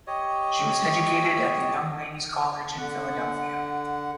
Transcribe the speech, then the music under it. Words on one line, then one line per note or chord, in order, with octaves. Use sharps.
She was educated at the Young Ladies College in Philadelphia.
G4 C#5 D#5
D3 F#5